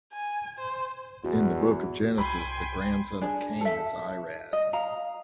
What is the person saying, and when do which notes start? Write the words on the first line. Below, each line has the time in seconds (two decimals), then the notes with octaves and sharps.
In the book of Genesis, the grandson of Cain is Irad.
0.13 G#5
0.58 C5
1.25 E2 F#4
2.18 C2 G5 G#5 B5 C6
3.22 D4 G#4
3.61 A4 E5
4.53 D#5
4.73 F5 A#5